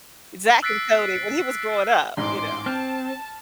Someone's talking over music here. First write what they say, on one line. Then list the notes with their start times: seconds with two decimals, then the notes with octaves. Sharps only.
Zack and Cody," when he was growing up, you know?
0.63 E6 F#6 A6 B6 C7 D7
2.17 A1 G#2 C6 D6
2.66 C4 A5 F6